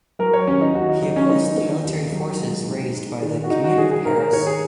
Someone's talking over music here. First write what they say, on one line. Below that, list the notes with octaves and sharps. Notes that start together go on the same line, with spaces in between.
He opposed the military forces raised by the Comune of Paris.
F#3 A#4
C#5
D#2 C#4
D#4
D#2 F#4
D#4
F#3 D#4
C#4
D#3 D#4
D#3
D#2
F#3
G#3
G#2
G#2
D#3
F#4
D#3 D#4
F#4
D#3 G#4
G#4
G#2 A#4
A#4
D#3 C#5
G#4